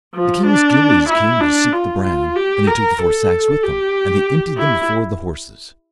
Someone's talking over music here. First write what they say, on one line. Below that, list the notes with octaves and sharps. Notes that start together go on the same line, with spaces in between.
The king's gillies came to seek the bran, and they took the four sacks with them, and they emptied them before the horses.
F3
D4
E4
D4
F4
F4
G4
A#4
A4
G4
E4